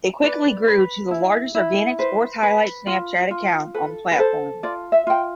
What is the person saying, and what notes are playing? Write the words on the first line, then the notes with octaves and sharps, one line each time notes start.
It quickly grew to the largest organic sports highlight Snapchat account on the platform.
B4 D5
B4
E4
E4
B4 C5
B4
F4
F4
A4 B4
B4
A4 C5
F4 D5
E5
F4 G5